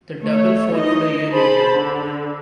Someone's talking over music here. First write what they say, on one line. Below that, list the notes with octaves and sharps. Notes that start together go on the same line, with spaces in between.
The double followed a year later.
A3 C#5
D#4 D#5
G#4 C5 A5 B5
D3